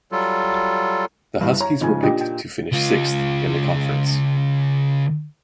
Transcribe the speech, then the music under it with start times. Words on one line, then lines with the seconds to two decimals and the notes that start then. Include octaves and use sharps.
The Huskies were picked to finish sixth in the conference.
0.12 F#3 G3 F4 A4
1.41 G2 E4 F5
1.61 C#5 A#5
1.81 G#2 C#3 F3 D#4 G#5
2.03 A#2 D4 G4 D#5
2.21 G5
2.72 C#2 F4